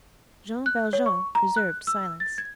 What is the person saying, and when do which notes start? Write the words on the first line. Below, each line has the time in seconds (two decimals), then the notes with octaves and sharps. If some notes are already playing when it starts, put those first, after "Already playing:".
Jean Valjean preserved silence.
0.66 F#6
0.93 C#5
1.06 C#6
1.35 A#5
1.57 F#6
1.87 E6
2.20 A6
2.38 G#6